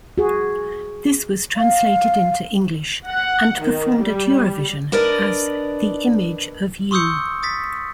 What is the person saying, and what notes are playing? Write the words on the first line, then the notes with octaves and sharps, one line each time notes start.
This was translated into English, and performed at Eurovision as "The Image of You".
F#4 G#4
F5
F#5
D#3
G3
D4 A#4 B4 D5 D#5
C6 C#6 D#6 E6 G6 C#7
D#6 A6 B6